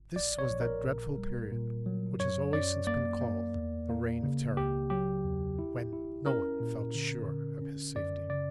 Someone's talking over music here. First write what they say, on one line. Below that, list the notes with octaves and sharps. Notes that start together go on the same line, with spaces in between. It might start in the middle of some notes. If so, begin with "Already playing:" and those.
This was that dreadful period which has always since been called "The Reign of Terror," when no one felt sure of his safety.
Already playing: G1
A#1 D5
C#5
A#1
A#4
A#2
G3
A#2
F#3
F#2 C#5
F#2 D5
A#3 D5
A#3
E2
A#3
C#3
C#2 G4
F#3 G4
E2
E4
E4
C#4 A#4
A#2
D3
D3
C#4
F#2 D5
C#3 D5